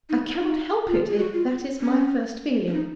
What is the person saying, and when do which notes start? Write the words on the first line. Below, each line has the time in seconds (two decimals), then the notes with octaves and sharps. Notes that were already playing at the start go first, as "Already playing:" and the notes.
I cannot help it, if that is my first feeling.
0.09 D#4
0.40 D#4
0.87 F4
1.09 G#4
1.18 F#4
1.33 F4
1.80 C#4
2.67 C#4
2.73 D#4